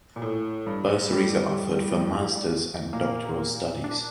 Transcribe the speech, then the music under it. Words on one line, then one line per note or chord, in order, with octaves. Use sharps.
Bursaries are offered for Master's and doctoral studies.
A#2
A2
G2
A2 G3
A#2 A#3
D4